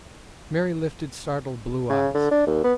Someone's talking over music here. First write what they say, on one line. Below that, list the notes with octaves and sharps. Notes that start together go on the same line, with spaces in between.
Mary lifted startled blue eyes.
C#3
D3
D4
D#2
B3